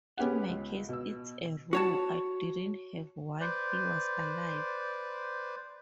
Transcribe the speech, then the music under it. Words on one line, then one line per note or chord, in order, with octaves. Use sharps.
In my case it's a row I didn't have while he was alive.
B3 C#4 G4 G#4 F#5
C#2
B2 E6
F#4 C#5 A5
B4 C5 D5